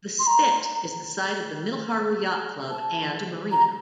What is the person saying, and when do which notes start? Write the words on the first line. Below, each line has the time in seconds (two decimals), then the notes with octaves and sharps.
The Spit is the site of the Middle Harbour Yacht Club and a marina.
0.19 C6
0.26 A#5
2.70 A5
3.51 A#5